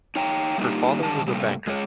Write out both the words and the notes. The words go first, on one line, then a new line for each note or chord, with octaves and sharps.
Her father was a banker.
D#4 C#5 G5 A#5
G3 A3 A#3 D4 D#4 G4
G#2 D3 D#3 G3 A5
C3 G3 A3 A#3
G#3 G#4 C#5